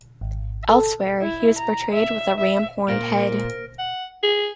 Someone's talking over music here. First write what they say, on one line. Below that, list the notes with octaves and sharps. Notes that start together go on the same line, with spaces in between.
Elsewhere he was portrayed with a ram-horned head.
G#1
A4
E4
A#5
E5
E5
A#2 A#3 F4 C5 F6 A#6 D7
F#5
G#4